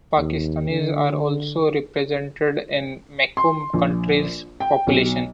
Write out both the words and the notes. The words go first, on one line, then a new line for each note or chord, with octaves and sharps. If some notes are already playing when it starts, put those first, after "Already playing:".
Pakistanis are also represented in Macomb County's population.
D#2
D3
C6
A#1
G5
B1